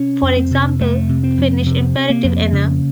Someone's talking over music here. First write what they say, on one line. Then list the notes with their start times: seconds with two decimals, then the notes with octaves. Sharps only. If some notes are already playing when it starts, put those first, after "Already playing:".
For example, Finnish imperative anna!
Already playing: C3 C#4
0.22 F2
0.37 C4
0.51 C3
0.80 F2 A3
1.09 C3
1.23 C4
1.38 F2
1.62 A#3
1.66 C3 C4
1.96 C3
2.10 A#3
2.24 F2
2.53 C#3